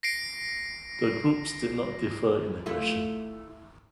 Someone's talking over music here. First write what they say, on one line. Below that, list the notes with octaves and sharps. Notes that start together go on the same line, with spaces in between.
The groups did not differ in aggression.
A#6 C7 D7
A3 E4 F4